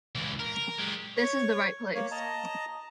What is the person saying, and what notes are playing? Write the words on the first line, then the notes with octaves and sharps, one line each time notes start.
This is the right place.
C#2 E3
A#4
G#3 G4
C#5 C#6
A#3 C#5
D#5 A5 A#5